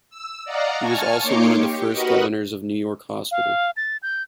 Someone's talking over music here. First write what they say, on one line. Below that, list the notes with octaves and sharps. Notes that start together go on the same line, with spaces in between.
He was also one of the first governors of New York Hospital.
E6
D5 D#5 F5 F#5 A#5
G#5 A5 C#6 F6
A#3 D#4 C#5 C6 D6 C#7
G4
F#4 A#4 B4 D#5 F#5
F5
A6
G6